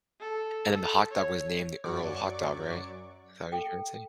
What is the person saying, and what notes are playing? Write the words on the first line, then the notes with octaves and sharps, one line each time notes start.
And then the hot dog was named the Earl Hot Dog, right? Is that what you're trying to say?
A4
A4
C#5
F#2 F#3 D5 C#6 D6
A4 G5